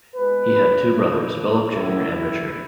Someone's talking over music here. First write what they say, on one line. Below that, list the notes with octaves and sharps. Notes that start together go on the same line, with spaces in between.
He had two brothers, Philip Junior and Richard.
B2 G#3 B4
A#2 F3 A3
C3 D#3 F#3 A3 E4